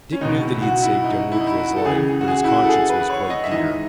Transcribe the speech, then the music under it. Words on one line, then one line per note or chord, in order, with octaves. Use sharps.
Dick knew that he had saved young Woodville's life, but his conscience was quite dear.
C#4
C#2 B2 D#4
E4
F#4
E4
D#4
E4
D#4
E4
F#4
A4
C#2 C#3 E3 G#4
F#4
G#4
E4
F#4
A4
G#4
B4
C#5
D#5
E5
G#2 E3 D#5